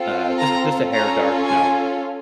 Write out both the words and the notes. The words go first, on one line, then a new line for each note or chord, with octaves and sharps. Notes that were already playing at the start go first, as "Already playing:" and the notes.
uh just just a hair dark no.
Already playing: C4 F4 A4
A#5
C#4 F4 A4 A#5
G#5